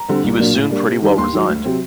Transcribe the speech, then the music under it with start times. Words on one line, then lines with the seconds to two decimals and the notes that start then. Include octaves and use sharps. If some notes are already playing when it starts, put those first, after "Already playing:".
He was soon pretty well resigned.
Already playing: A#5
0.08 D3 G3 C4
0.23 C2
0.39 A#2 F#3 A#3 D4
0.54 A2
0.70 G3 A#3 D4
0.86 C3
1.02 D#3 G3 D4
1.17 D#2 C6
1.33 D#3 F#3
1.49 D2
1.64 C3 F#3 C4